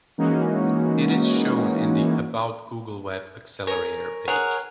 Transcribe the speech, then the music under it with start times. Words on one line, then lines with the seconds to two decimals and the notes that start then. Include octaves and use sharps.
It is shown in the "About Google Web Accelerator" page.
0.18 E3 G#3 A#3 C#4 D#4 F#4
3.67 A#4 C#5 G#5
4.28 G#4 A#4 C#5 F#5